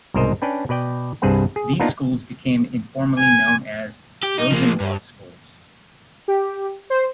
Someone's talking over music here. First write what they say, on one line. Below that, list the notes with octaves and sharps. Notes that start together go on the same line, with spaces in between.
These schools became informally known as Rosenwald Schools.
C2 G#2 B2 A#4 C5 D#5
C#4 D4 B4 G5
B2 B4 D5 G5
C2 G2 C4 G#4 B4 F#5
G#4
A#3 B3 D4 D#4 F4 A#4
G#5
G4
D#4
F3 A#3
G2
G4
C5